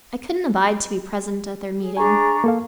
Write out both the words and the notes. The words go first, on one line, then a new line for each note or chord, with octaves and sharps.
I couldn't abide to be present at their meeting.
G#4
D4 G#4 G#5 A#5 C#6
A#3 A4 F5